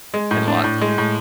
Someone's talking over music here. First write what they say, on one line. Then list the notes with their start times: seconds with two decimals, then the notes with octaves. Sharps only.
in lot states.
0.14 G#3
0.31 A2
0.48 D4
0.64 A2
0.81 G#3
0.98 A2